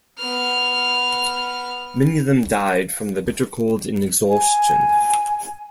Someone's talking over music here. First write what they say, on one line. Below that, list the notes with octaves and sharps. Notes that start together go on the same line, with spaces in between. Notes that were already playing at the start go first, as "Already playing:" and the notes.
Many of them died from the bitter cold and exhaustion.
B3 F6
G#5